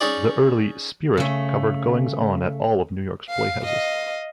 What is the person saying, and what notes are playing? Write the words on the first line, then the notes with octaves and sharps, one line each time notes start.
The early "Spirit" covered goings on at all of New York's playhouses.
C#4 D#4 G#4 D5
C#3 A3
F5
D#5 F5